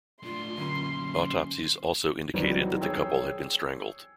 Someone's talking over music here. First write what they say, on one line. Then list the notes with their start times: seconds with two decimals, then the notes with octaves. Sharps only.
Autopsies also indicated that the couple had been strangled.
0.24 A2 D4 F4 C6
0.58 F#2 A#2 D3 C#4 A#5 B5
2.34 D#3 E3 F#3 G3 B3 C4
2.81 G#4 C#5 G5 E6